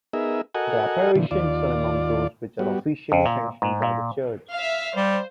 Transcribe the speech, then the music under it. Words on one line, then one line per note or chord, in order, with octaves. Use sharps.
The apparitions are among those which are officially sanctioned by the Church.
B3 D#4 G#4 A#4 E5
F#4 A4 A#4 D#5 F#5 G#5
A#2 D3 E3 F3
D#2 F4 D5
G3 B3 F#4
F2
A#2
G#2
A#2
E5 F5
G3 C5